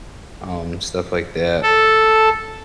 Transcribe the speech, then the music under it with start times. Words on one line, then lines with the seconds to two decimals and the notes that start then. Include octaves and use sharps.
um, stuff like that,
1.63 A4